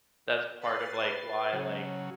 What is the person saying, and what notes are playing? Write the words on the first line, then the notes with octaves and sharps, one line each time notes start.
That's part of, like, why, like,
B4 A6 C7
C#3 F#3